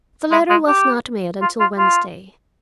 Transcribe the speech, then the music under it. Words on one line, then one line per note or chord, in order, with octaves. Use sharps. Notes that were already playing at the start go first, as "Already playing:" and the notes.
The letter was not mailed until Wednesday.
G#3
G#3
G4
F4
F4
F4